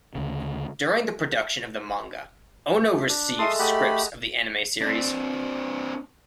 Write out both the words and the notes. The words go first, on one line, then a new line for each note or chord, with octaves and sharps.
During the production of the manga, Ono received scripts of the anime series.
D2 C#3
D4
G#3 A3 A4 C6 D#6
A3 G4 D#5 F#5 B5
C4 D4